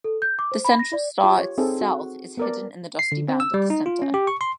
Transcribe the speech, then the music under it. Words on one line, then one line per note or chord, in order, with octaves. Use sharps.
The central star itself is hidden in the dusty band at the center.
A4
G6
D6
C5
B5
A#6
D5
F4 G4
C#5
C4 D#4 G#4 A4
F#4
B3 A#4 D5
C7
D3
C4
E6
G3
D#4
F4
C#4
G4
C#6
C6